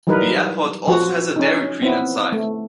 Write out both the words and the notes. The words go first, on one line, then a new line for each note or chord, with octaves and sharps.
The airport also has a Dairy Queen inside.
E3 F#3 G3 D#4 A#4 B4
F3 F#4
C#4 D#4
B3 C4 E4
A3